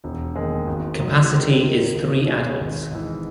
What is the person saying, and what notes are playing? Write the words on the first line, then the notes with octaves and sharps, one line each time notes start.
Capacity is three adults.
E1
D#2 D#3 G#3
G#1
G#2 F#3
D#3
A#3 D#4
C#2
B2 G#3
G#1
G#2 E3